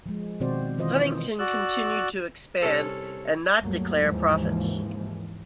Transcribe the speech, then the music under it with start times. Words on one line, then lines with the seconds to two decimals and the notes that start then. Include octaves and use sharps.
Huntington continued to expand and not declare profits.
0.06 F3 G#3
0.40 B2 D#3 C4 F#4 C5 D5
0.78 D#3 E3 F4 C5 D#5
1.39 F#4 D5 E6 F#6
2.62 C2 C#4 A4
3.60 D2 G2 F#3 A3 A#3
3.99 D#2 G#2 C#3 E3 F3